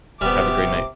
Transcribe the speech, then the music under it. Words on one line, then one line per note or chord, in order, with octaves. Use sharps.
Have a great night.
D#1 C3 G3 B3 D6